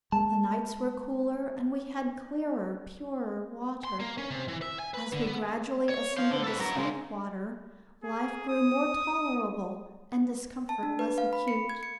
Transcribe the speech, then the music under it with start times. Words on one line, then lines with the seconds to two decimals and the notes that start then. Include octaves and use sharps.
The nights were cooler, and we had clearer, purer water. As we gradually ascended the Sweetwater, life grew more tolerable and discomfort less acute.
0.12 G#3 A#3 A5
3.85 C6
4.00 A#3
4.18 C#4
4.30 C3
4.48 E3
4.62 E5
4.79 G#5
4.94 B4
5.13 D3
5.27 B3
5.89 C#5
6.17 C5 F5
6.31 D3
6.44 A4 B4
6.59 F#3 A#4
6.76 C#3 G#3
8.04 G#4
8.49 D#6
10.69 A5
10.83 D4
10.99 B4
11.18 F5
11.33 B5
11.48 C#7
11.69 G#6
11.83 C#7